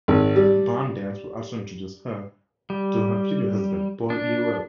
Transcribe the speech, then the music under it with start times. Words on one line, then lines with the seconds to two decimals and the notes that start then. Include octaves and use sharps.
"Barn Dance" also introduced her to her future husband, Paul E. Rose.
0.08 G#1
0.36 G3
2.70 G3
4.10 D4